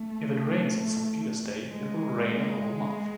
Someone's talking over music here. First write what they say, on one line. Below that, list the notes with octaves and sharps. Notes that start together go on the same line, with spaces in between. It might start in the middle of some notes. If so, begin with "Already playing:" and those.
If it rains on St. Peter’s day, it will rain a whole month.
Already playing: A3
G#3